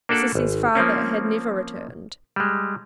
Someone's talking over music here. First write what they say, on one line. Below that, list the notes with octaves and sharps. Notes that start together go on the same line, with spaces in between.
Sissy's father had never returned.
A#3 D4 F#4 A4 D5
G#1
F3 A#3 C4 C#4
G3 G#3